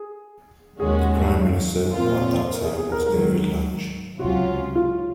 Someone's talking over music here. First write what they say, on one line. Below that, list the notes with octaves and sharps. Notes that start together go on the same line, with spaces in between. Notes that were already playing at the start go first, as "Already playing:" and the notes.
The Prime Minister at that time was David Lange.
Already playing: G#4
D#2 D#3 G#3 C#4 F#4 G#4
A#2 F3 C4 F4 A#4
C5
C#5
C5
A#4
G#4
G#4
A#4
G#2 D#3 F#3 A#4
C#2 C3 F#3 C#4 F4 F#4
F4